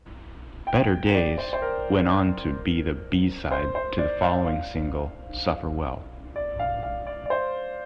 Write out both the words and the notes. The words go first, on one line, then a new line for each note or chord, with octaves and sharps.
"Better Days" went on to be the B-side to the following single, "Suffer Well".
G5
D5
C5
C5
A#4
C5
C5
D5
F5
F5
D5
F5
F5
D5
D5
C5